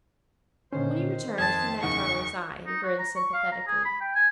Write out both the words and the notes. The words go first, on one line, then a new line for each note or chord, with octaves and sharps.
When he returned, he met Tarling's eye and grinned sympathetically.
A#2 D3 D#3 C#4 C5
F2 A5 G#6 A6
F#1 E2 C#3 D#4 F#5 C#6
D#4
F#4
A#5
C#6
F5
A#5
G#4
B5
G5
G#5